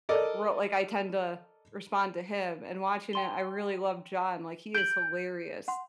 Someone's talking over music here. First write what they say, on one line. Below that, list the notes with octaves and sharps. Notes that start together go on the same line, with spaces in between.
like, wrote like, I tend to respond to him and watching it, I really love John, like, he is hilarious.
A4 A#4 D5 D#5
G5 C6 G7
G6 D7 F#7
F#5 C6